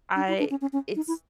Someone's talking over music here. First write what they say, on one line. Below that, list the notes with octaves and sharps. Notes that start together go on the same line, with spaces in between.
I it's
D4
E4
D4
C#4
C#4
C#4
D#4
E4